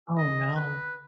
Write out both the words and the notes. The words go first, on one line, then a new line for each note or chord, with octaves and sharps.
Oh, no.
D#5
B4